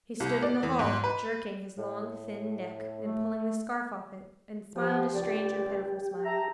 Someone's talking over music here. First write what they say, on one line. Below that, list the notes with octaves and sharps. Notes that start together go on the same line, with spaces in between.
He stood in the hall, jerking his long thin neck, and pulling the scarf off it, and smiled a strange and pitiful smile.
C2
D5
E2
G#2
B4
A2
A3
F3 G4
C#2 D5
E5 A5 A#5